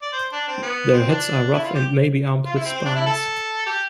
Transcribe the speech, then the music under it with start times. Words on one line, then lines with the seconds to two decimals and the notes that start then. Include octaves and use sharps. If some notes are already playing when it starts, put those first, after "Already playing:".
Their heads are rough and may be armed with spines.
0.02 D5
0.12 C5
0.32 D4
0.48 C4
0.62 B3
0.93 C4
1.09 D4
1.54 E4
1.64 F4
1.75 G4
2.46 F4
2.55 E4
2.66 C4
2.76 C4
2.85 D4
2.96 E4
3.06 A4
3.66 G4